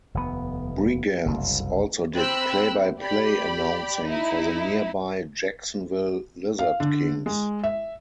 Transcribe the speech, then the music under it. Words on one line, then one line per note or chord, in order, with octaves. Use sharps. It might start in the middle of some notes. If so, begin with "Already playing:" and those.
Brigance also did play-by-play announcing for the nearby Jacksonville Lizard Kings.
F1 D#2 G#2 B3
F#1 C2 G2
C4 G5 B5 E6 F#6
G4 D5 B5
D#4 E4
F5
D3
G#3
E5